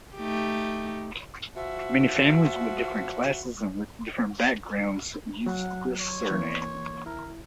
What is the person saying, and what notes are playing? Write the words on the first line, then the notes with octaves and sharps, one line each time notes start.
Many families from different classes and with different background used this surname.
A3 D#4 G4
F3 F#4 E5
F#3 F#5
C#5
E3 A#3
D#2 E4 A#4